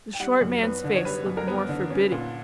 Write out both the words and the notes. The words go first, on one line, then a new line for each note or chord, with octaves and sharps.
The short man's face looked more forbidding.
G5
G3 F#5
F#2
B3 B4
D3
C#5
G3 B4
F#2
A#4
B3 B4
D3
C#4
A#2